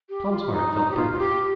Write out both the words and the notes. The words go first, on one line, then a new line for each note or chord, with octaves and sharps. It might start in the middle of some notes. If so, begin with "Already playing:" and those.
Tom's heart felt better.
G4
F4
F4
D#4
D#4
G4
F4
F4
G4